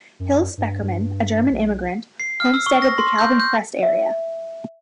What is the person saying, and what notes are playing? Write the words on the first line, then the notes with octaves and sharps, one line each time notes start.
Hills Speckerman, a German immigrant, homesteaded the Calvin Crest area.
F#2
G2
G2
B1
C7
F6
E6
C#6
A#6
C6
G6
G6
E5